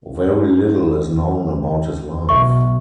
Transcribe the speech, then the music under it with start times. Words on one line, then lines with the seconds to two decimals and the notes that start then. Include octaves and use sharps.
Very little is known about his life.
2.29 B1 E5 C#6